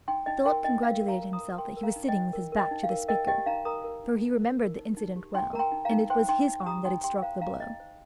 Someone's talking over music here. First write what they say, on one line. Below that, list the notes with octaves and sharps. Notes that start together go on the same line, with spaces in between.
Philip congratulated himself that he was sitting with his back to the speaker, for he remembered the incident well, and it was his arm that had struck the blow.
D#4 G5 C6
D#4 D#5 G5
A#4 G5 C6
D#4 D#5 G5
A#4 F5
A#4
F5 A#5
A#4
A#5 D#6
A#4
A#4 G5 C6
A#4
F5 A#5
D#4
D#5 G5
D#4
A#4
A#4
D#5 G5
D#4
F5
A#4
A#4 D#5 G5
G4 D#5 G5
D#4 F5 A#5
A#4 A#5 D#6
A#4
D#4
D#4
A#4
A#4
D#4
D#4
G4
D#4 G5 C6
A#4 A#5
G5 C6
D#4
F5 A#5
D#4
C5 G5 C6
D#4 G5 C6
D#4
G4 A#5 D#6
D#4 G5 C6
G4 G5 C6
C5 F5 A#5
D#4 F5 A#5
D#4 D#5 G5
C5